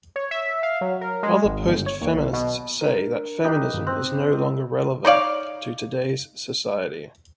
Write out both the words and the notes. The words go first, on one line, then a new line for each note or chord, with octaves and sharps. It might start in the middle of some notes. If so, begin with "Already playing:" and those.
Other postfeminists say that feminism is no longer relevant to today's society.
C#5
E5
F5
F#3
A#4
G#3
G#1
G1
C#5
D#2
B1
B2
D4 A#4
D#4 G4 B4
G2 D#3
C4 F#6
D#4 C#5 D5 F5